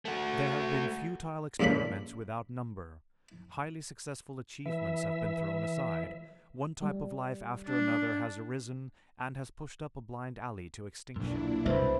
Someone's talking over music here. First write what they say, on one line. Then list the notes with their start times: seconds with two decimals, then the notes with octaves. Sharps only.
There have been futile experiments without number; highly successful achievements have been thrown aside; one type of life after another has arisen and has pushed up a blind alley to extinction.
0.05 A3 F#4
1.60 E2 G2 A#3 C#4 D4 B5
4.66 E3 E5
6.82 G3
7.66 D4
11.16 B1 F#2 A#2 D4 E4
11.65 C2 B2 B4 C5 E5